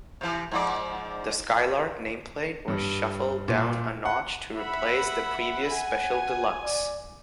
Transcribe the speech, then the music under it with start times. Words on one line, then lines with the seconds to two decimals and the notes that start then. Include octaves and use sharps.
The Skylark nameplate was shuffled down a notch to replace the previous Special Deluxe.
0.21 C3 E3
0.52 G#2 F3 D5
2.68 G2
3.48 A#2
4.05 F#5
4.56 E5 F#5 B5
5.71 F#5 G#5
6.63 D5